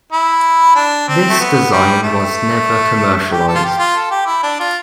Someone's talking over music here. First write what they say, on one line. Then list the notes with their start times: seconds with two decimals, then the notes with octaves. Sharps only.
This design was never commercialized.
0.12 E4
0.75 D4
1.08 C4
1.30 A3
1.40 B3
1.72 G3
2.03 A3
3.32 G4
3.48 A4
3.55 F4
3.64 G4
3.79 F4
3.96 A4
4.11 G4
4.27 E4
4.43 D4
4.60 F4